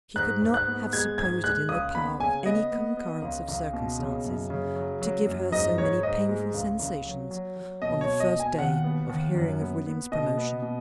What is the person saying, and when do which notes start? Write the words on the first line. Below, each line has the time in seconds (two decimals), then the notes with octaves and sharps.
She could not have supposed it in the power of any concurrence of circumstances to give her so many painful sensations on the first day of hearing of William's promotion.
0.16 G#2 F#6
0.42 G#2
0.54 F#6
0.67 B3
0.93 G#3 G#6
1.18 G#2 G#6
1.44 G#3 F#6
1.69 C#2 D#6
1.95 B3 B5
2.20 C#3 G#5
2.46 B3 D#5
2.72 B3
2.97 B3
3.22 C#2
3.49 C#2
3.73 B2
3.99 C#3
4.25 F#2
4.50 C#3
4.76 F#3
5.01 F#3
5.27 F#2
5.52 G#2 D#5
5.78 G#2 C#5
6.03 G#2 D#5
6.29 G#3
6.54 C#2
6.80 C#2
7.05 F#3
7.31 F#3
7.57 F#3
7.82 B2 D#5
8.01 C#5
8.07 B2
8.20 D#5
8.33 B2
8.40 G#5
8.58 D#2 F#5
8.84 B3
9.10 D#2
9.35 F#2
9.60 B3
9.87 B3
10.12 B2 D#5
10.37 B3
10.62 B2